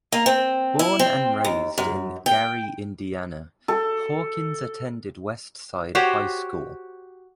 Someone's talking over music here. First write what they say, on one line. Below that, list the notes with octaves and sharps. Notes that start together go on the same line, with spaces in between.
Born and raised in Gary, Indiana, Hawkins attended West Side High School.
A#3
C4
E4
C4
D#2
F#2
G5
A4
F#4 G4 C5 C#5